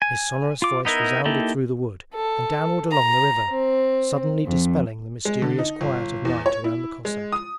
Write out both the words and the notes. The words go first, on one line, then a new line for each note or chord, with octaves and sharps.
His sonorous voice resounded through the wood and downward along the river, suddenly dispelling the mysterious quiet of night around the Cossack.
G#5
F4 D6
B3 D#4 E4 A#4
A#3 D#4 E4 G4 A4
A4
A#5
C4
F2
G#3
D3
D#4
G1
E2
C#5
E4
G#3
D#6